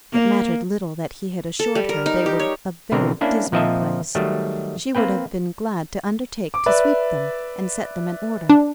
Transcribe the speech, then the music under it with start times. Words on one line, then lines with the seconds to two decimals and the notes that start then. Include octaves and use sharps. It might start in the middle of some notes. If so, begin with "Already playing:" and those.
It mattered little that he had assured her they were a very dismal place; she would have been glad to undertake to sweep them and set them in order.
0.12 A#3
1.59 A4
1.75 G3
1.89 A#4
2.06 D#4
2.26 G4
2.39 C#5
2.92 B2 D3 C4 A#4
3.21 A#3 C#4 D4 E4
3.52 A#2 F3 C4 D#5 E5 A5
4.15 D#3 F#3 G3 A3
4.95 A#3 C4 B4 G5
6.54 D6
6.66 B4 D5 E5
8.50 D4